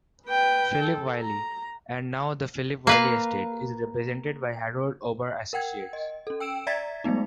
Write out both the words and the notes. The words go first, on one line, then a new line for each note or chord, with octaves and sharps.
Philip Wylie, and now the Philip Wylie estate, is represented by Harold Ober Associates.
B4 G5
A4
A#5
A#3 B4 F5
A#4 F#5 G5 G#6
D#5
C#4 A4
G5 E6 D7 E7
D5 E5 A#5 G#6 A6 B6
F#3 G#3 A3 B3 D#4